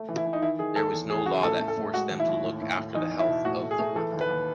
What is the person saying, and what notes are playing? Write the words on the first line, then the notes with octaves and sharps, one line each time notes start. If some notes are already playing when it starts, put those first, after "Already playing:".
There was no law that forced them to look after the health of the worker.
Already playing: A3
E3
E4
E3
D#4
D#3 E4
D#3 G#4
D#2 A4
E2
E2 G#4
C#3 F#4
A2 A4
A3
A4
A2
G#3 F#4
D#2
E4
D#2
A2
A2
A2
E2 D#4
E2
E4
B2
A2 F#4
A3
G#4
A3
E3 A4
D#2
B4
D#2